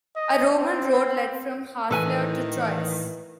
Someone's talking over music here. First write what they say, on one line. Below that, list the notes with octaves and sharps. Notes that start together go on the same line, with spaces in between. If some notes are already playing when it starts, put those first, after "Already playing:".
A Roman road led from Harfleur to Troyes.
D#5
C4
A2 D#3 E3 A4 B4 G#5